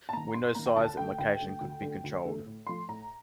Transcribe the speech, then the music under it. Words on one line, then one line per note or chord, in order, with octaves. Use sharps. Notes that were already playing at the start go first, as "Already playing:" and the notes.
Window size and location could be controlled.
A5
D#3 A#3 A#5
G2 C6
D#3 A#3 A#5
G5
D2 A5
D3 A3 G5
D2 G5
D3 A3
D2
D3 A3
D2
D3 A3
A2
F3 A3 C6
A2 A#5